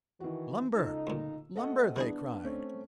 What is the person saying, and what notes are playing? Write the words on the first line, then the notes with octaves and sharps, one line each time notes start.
"Lumber! lumber!" they cried.
D#3 E3 F#4
C#2 D#4 A4 E6
D2 A#2
B2 A3 C4 A4 D#5 F#5
D#3 B3 D4 E4 G#4
A3 C4 C#4